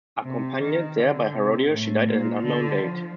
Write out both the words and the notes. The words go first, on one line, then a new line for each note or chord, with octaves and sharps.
Accompanied there by Herodias, he died at an unknown date.
C3
D#3
D3
C3
A2
A#2
D3
F3